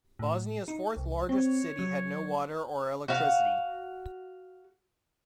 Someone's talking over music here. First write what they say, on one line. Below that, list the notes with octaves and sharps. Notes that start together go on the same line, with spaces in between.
Bosnia's fourth-largest city had no water or electricity.
A2
D#4
C2
C4 C#5
F#3
F#4 F5